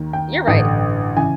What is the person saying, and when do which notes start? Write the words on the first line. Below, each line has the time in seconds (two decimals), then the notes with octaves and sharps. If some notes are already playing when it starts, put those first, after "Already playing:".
you're right.
Already playing: D#2 D#3
0.13 G5
0.48 A1 G2 D3
1.16 C#3 E3 G#5